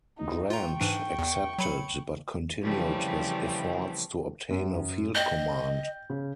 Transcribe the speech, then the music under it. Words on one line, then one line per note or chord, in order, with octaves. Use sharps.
Grant accepted, but continued his efforts to obtain a field command.
D#4
F4 G5 A#5 C#6
G#2 E3 D4
E2
F#3 B5 C#7
C#3 E3 F3 G3 A3 C4
F#2
D#5 G5 G6
C#3